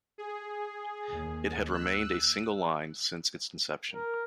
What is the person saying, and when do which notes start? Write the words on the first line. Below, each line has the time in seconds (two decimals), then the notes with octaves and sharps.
It had remained a single line since its inception.
0.18 G#4
1.08 D#2
1.69 E6 F#6
3.93 A#4